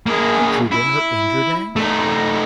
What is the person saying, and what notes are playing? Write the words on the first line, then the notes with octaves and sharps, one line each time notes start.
Gertrude and her injured ankle!
A#3 G#4
E4
A3 D#4